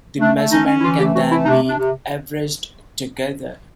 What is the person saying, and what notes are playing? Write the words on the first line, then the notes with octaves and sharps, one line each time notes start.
The measurements can then be averaged together.
A3 D4
A3
C#4 D#4
C#4
E4
E3 F4
A3 G4
E3 F#4
A3 E4
D#4
C3 D4
C3 D4
C3